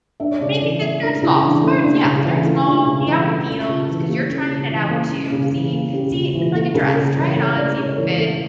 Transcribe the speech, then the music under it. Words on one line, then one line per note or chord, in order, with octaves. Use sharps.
Maybe just start small, start yeah, start small, see how it feels, 'cause you're trying it out too. See see, it's like a dress, try it on, see if it fit,
D4 E5
C#5
C#3 D5
E3 D5
A3 E5
D4 A#4
C#3 E4
E3 D4
A3 C#4
A#3 D4
C#3 C#4
E3 E4
A3 E4
D4 F4
C#3
E3
A3
C#4 A4
C#3 F4
E3 F4
A#3 G4
C#4 A4
C#3
E3
A#3
C#4
C#3
E3
A#3
C#4 G4
G4
C#3 F4
E3 F4
A#3 A4
C#3 A#4
C#3 A#4
E3 C#5
A3 C#5
C#3 D5
C#3 C#5
C#5
E3 A#4
A3 A4